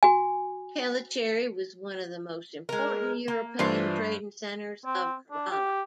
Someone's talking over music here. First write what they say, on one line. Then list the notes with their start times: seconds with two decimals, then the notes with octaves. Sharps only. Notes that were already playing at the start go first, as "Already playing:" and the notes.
Tellicherry was one of the most important European trading centers of Kerala.
0.03 F#4 G#5
2.69 G#3 A#4
3.28 A#3
3.59 G2 E3 D4 F4 C5 C7
4.85 C4
5.31 D4
5.50 G4